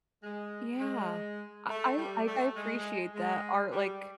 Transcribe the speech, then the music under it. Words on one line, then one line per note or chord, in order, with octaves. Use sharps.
Yeah. Uh, I'll like, I appreciate that art, like
G#3
G#3
A3
G3
A3
G#3
G#3
G3